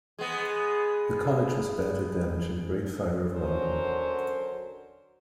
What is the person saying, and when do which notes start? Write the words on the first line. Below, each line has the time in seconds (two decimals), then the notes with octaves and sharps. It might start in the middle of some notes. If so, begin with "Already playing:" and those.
The College was badly damaged in the Great Fire of London.
0.19 G#3 B3
3.34 D3 F#3 C#4 A#4 C5 C#5